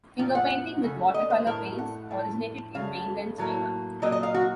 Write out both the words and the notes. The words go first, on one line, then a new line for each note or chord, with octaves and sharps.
Fingerpainting with watercolor paints originated in mainland China.
A#2 F3
F#5
C#3 A3
D#5
C5
A2 A3 A#4
F#5
A2 F3
C#3 A3 F5
A2 F#3 A#3
A#2 F#3 A#3 D#5
D#5
F5
F#4